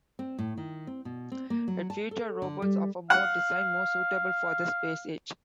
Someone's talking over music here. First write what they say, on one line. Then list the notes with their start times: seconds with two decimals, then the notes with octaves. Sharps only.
It featured robots of a more design more suitable for the Space Age.
0.19 C4
0.39 A2
0.57 D#3
0.87 C4
1.05 B2
1.32 C4
1.50 A#3
1.68 F#3
1.90 A5
2.11 A4
2.42 D3
2.62 G3
3.10 F5 F#5